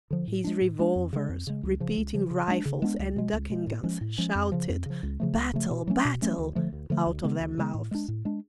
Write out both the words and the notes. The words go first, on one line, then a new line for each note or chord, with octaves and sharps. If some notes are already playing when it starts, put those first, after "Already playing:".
His revolvers, repeating rifles, and ducking-guns shouted "Battle! battle!" out of their mouths.
D3 F3
A2
G#3 D4
A2
G#3 D4
F2
C#3 G#3
F2
C#3 G#3
C#2
C#3 F3
C#2
C#3 F3
C#3
G#3 B3 D4
C#3
G#3 B3 D4
C#2
B2 G#3
C#2
B2 G#3
A2
F3 G#3 C#4
A2
F3 G#3 C#4
F2
C#3 F3
F2
C#3 F3
C#2
C#3 F3 A3
C#2
C#3 F3 A3
B2
F#3 A3 C#4
B2
F#3 A3 C#4
D2
D3 F3 A3
D2
D3 F3 A3
D2
C#3 G#3 B3
D2
C#3 G#3 B3
A2
G#3 D4
A2
G#3 D4